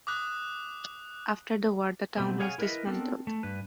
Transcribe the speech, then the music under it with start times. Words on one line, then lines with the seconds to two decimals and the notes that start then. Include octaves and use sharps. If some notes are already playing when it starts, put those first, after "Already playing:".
After the war, the town was dismantled.
0.07 D6 D#6 F#6
2.17 B2 F#3 A3 B3 C4
2.40 G#4 C#5 F5 F#5 G#5
2.58 E4 A#4 B4 C#5 D#5 E5
2.87 B3 C4 D4 A4 A#4
3.27 A3
3.43 G2 B4